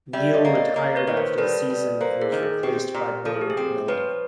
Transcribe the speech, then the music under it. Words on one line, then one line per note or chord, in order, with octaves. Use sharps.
Neale retired after the season and was replaced by Bo McMillin.
G3 D5 E5
C#5 D#5
A#3
C#5 D#5
A#3
B4 C#5
D#3
A#4 C5
G3 A4 B4
G3
A#3 A#4 C5
G#4 A#4
D#3
G#4
C4 G4
A#2
F3 A4
G#4
G4
G#4
C4
F3 B4 C#5